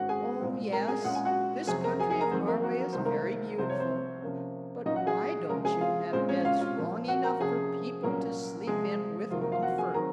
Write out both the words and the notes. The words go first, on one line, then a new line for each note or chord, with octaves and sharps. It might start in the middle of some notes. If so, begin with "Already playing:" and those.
"O yes, this country of Norway is very beautiful, but why don't you have beds long enough for people to sleep in with comfort."
Already playing: G#2 D#3 G#3 C#4 F#4 F#5
G#4 G#5
C2 A#2 G#3 C4
A#4 A#5
G#4 G#5
A#2 G#3 C#4 F#5
G#5
F#4 F#5
F2 C3 F#3 C4 G#4 G#5
A#4 A#5
G#4 G#5
G#4 G#5
A#4 A#5
F2 D#3 F#3 C4 C5
A#3 A#4
F#4
A#4
C2 C3 D#3 G#3 C5
A#3 A#4
C2 C3 F3 C4 C5
C#5
C4 C5
C3 F3 A#3 C#4
A#2 F#3 C#4 D#4 D#5
F#4 F#5
G#4 G#5
C3 F3 G#3 C#4 A#4 A#5
G#4 G#5
F4 F5
A#2 G#3 C4 C#4 C5
C#4 C#5
F4 F5
F4 F5
A#2 F3 A#3
F#4 F#5
A#4 A#5
C3 F3 A#3 C#4 G#4 G#5
C2 A#2 F#3 A#3 C#4 A#4
C3 F3 G#3 G#4
F2 C3 D#3 F#3 A#3 F4
A#3 A#4
F4 F5
F#4 F#5
G#4 G#5
D#3 F#3 C4 A#4 A#5